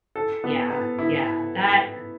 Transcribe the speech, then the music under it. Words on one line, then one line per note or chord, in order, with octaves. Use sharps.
Yeah, yeah, that
A4
B3
B3
E4